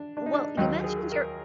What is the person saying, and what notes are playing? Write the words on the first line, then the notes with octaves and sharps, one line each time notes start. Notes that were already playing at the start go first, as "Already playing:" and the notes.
Well, you mentioned your
Already playing: D4
D4
D#4
D4
D#2 D#3 F#3 D#4
G#4
A#4